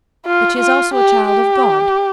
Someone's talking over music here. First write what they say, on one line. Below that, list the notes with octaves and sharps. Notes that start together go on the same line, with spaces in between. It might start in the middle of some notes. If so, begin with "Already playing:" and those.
But she is also a child of God.
F4
F4
G4
G4